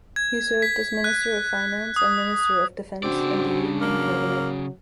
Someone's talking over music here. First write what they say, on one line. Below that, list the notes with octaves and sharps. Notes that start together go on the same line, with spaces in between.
He served as Minister of Finance and Minister of Defence in the union cabinet.
G#6
B6
F#6
D#6
C#3 C4 D4 F#4 D5
F#3 A#3